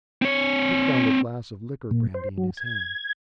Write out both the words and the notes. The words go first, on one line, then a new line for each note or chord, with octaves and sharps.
Dick found a glass of liqueur brandy in his hand.
C4 C#5
A#2
C5
F#3
G#6